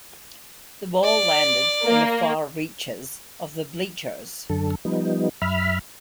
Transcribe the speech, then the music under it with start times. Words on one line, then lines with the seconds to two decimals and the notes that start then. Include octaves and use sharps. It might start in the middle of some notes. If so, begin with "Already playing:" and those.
The ball landed in the far reaches of the bleachers.
1.04 D5
1.85 A#3
4.49 F#2 D3 A4
4.85 F3 G3 B3 D#4
5.42 F#2 E5 B5 F6